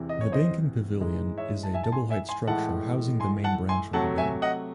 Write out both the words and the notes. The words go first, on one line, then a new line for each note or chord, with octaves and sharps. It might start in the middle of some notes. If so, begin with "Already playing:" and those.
The banking pavilion is a double-height structure housing the main branch of the bank.
Already playing: E2 C3 E3
D#5
C#5
C5 D#5
G#2 E3 G#3
C#5 E5
A5
E5 G#5
A5
G#5 C6
E5 G#5
G#5 C6
A2 E3 G#3 F#5 A5
G#5 C6
F#5 A5
G#5 C6
C3 F#3 A3 F#5 A5
E5 G#5
D#5 F#5